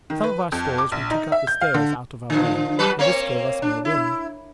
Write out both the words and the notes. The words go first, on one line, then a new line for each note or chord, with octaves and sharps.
Some of our stores we took up the stairs out of our way, and this gave us more room.
D#3
B4
F2
D6
A#1
D#4
E5
G6
F5
D3
D3 F3
F#3 B4
A#3 C4 C#5
D4
E4